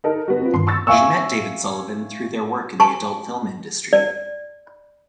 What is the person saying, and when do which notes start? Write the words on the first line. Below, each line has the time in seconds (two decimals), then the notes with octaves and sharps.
She met David Sullivan through their work in the adult film industry.
0.04 D#4 A4 A#4
0.28 B3 F#4
0.42 C4 F4
0.54 G2 D#3 C6
0.67 C#6 E6 A6
0.87 E5 F5 G#5 C#6 E6
2.80 G#5 A5 C#6
3.93 D5